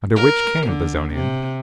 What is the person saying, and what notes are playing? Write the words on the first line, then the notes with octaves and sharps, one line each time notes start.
Under which King, Bezonian?
A#4
D3
C3